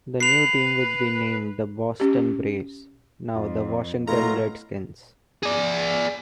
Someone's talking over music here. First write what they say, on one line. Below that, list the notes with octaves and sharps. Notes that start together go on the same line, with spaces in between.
The new team would be named the Boston Braves, now the Washington Redskins.
B4 C7 F7
C#4 G4
F2 F4
B2 F#3 A3 E4 F4 A#4 A#5
G#4 D5